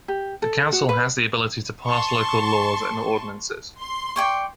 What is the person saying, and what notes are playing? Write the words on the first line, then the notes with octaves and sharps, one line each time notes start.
The Council has the ability to pass local laws and ordinances.
G4
A4
F#4
B4
A5 C6 C#6
C6
D5 G5 C#6